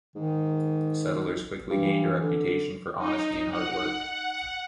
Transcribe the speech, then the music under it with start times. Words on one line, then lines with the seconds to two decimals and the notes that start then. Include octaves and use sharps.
The settlers quickly gained a reputation for honesty and hard work.
0.16 G#2 D#3
1.70 G2 E3
2.22 D3
2.98 D#4
3.50 F#5